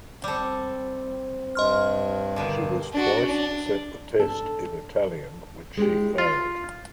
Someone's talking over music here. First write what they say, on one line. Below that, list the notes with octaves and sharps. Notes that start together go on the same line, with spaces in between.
She was twice set the test in Italian, which she failed.
G3 C4 A4
G2 D#5 C6 F6
B2 D3 D#3
D4 F#4
D4
D4 A4
G#3 D4 E4 G4
F4